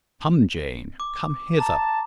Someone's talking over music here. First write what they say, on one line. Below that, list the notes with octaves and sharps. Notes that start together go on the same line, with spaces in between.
"Come, Jane--come hither."
D6
A5 A#5